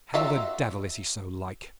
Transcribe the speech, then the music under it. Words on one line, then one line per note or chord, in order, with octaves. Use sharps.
How the devil is he so like?
F#3 F4 E5